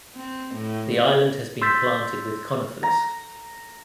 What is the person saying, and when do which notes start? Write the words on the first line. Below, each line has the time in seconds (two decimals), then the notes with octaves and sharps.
The island has been planted with conifers.
0.16 C4
0.55 A2
1.62 C6 E6 G6 A6 B6
2.83 A#5